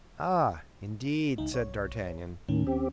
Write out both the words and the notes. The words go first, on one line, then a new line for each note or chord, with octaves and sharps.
"Ah, indeed," said d'Artagnan.
C#2 D#4
B1 C#5
D#2 A2 D#3 C#4
C4 G4